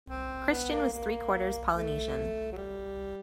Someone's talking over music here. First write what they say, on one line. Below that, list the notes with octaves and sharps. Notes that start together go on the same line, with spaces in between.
Christian was three quarters Polynesian.
C4
B3
A#3
A#3
A3
F#3
G3